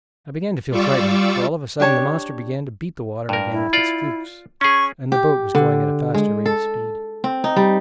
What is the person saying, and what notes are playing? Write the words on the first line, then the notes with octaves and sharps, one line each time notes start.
I began to feel frightened, for all of a sudden the monster began to beat the water again with its flukes, and the boat was going at a faster rate of speed.
G3 F4 D5 C#6 D6 E6
D4 G4 C#5 A5
G2 A#4
E4
F4 D5
C#4 G#4 C#6
G4
D3
G#3
A4
C4
D#4
G3